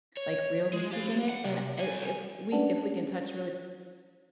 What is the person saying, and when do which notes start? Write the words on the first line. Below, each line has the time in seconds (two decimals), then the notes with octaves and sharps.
like real music in it, and, eh, if we if we can touch really
0.17 C#5
0.73 G#3
0.91 G4 F5
1.29 F#5
1.45 C3
1.80 C2 G#5
2.52 C#4 D4 B4 D5 F#5 A5